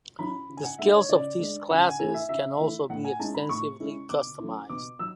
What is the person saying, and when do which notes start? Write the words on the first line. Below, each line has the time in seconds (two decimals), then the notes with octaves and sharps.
The skills of these classes can also be extensively customised.
0.19 F#3 C#4 E4 B5
0.49 C#3
0.57 G#5
0.64 F#5
0.79 G#3 D4 E5
0.94 C#5
1.09 C#3 D5
1.39 G#3 D4
1.70 C#3 F#5
1.84 G#5
1.99 E3 A3 E4 G#5
2.14 E5
2.29 C#3 E5
2.59 E3 A3 E4
2.89 A2 F#5
3.04 G#5
3.19 G#3 C#4 E4 A5
3.34 B5
3.49 A2 C#6
3.80 G#3 C#4 E4
4.09 B2 D6
4.39 F#3 A3 C#4 E4
4.69 B2 D6
4.99 F#3 E6